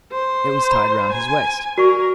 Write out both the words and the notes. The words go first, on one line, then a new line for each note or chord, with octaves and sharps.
It was tied round his waist.
C5
A#5 B5
G#5
F#4 A#4 D5 C#6